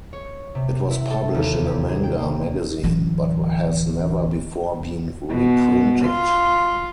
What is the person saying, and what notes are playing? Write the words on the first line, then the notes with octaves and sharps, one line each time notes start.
It was published in a manga magazine, but has never before been reprinted.
C#5
C3
E4
A4
D#2
G4
G#4
G5
A#3
D1 E3
B2
F4